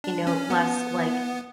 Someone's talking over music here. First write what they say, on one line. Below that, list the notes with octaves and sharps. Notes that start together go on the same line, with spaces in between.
you know, less, like,
D4
C#4
B3